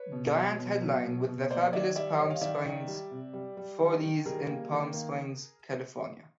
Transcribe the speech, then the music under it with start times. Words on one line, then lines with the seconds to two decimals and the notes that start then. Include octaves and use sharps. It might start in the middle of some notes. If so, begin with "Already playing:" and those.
Grant headlined with The Fabulous Palm Springs Follies in Palm Springs, California.
Already playing: B4 C#5
0.12 B2
0.35 F#3
0.58 B2
0.81 F#3
1.04 B2
1.28 B2
1.50 A#3 C5 D5
1.73 D#3 D5 E5
1.96 G3 D5 E5
2.19 G3 C#5 D#5
2.30 F5
2.41 D#3 D5 E5
2.65 D#3
2.88 G3
3.11 C3
3.33 G3
3.57 G3
3.80 D#3
4.03 D#3
4.26 G3 G#4 A#4
4.48 A#3
4.71 D#3
4.94 A#3